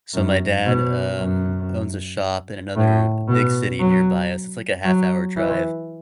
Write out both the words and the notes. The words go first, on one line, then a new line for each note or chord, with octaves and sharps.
so my dad, um, owns a shop in another big city nearby us, it's like a half hour drive,
F#2
B2
F#2
A2
B2
F#3
F#3
E3